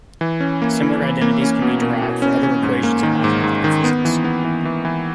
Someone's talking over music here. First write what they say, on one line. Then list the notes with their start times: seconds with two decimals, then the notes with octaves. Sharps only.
Similar identities can be derived for other equations of mathematical physics.
0.21 E3
0.40 C#4
0.62 A#3
0.82 E4
1.02 E3
1.21 A#3
1.42 C#4
1.62 B2
1.82 B2
2.02 B2
2.22 C#4
2.43 C#4
2.63 G#2
2.83 A#3
3.03 D#3
3.24 G#2
3.44 G#2
3.64 D#3
3.84 B3
4.05 E3
4.24 B3
4.44 E3
4.65 E3
4.85 E3